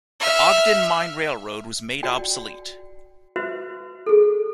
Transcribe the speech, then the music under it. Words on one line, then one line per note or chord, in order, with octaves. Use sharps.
The Ogden Mine Railroad was made obsolete.
E5 F6
F#4 D5 G5
F#4 B4 C5 E5
G#4 A4